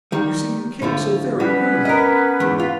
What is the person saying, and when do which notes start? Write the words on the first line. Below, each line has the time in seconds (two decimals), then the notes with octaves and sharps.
"You see you came so very early."
0.12 D#3 G3
0.82 A2 D3 F3
1.40 G3 B3 C#4 B4
1.85 A#4 D#5
2.40 E2 G#2
2.59 F4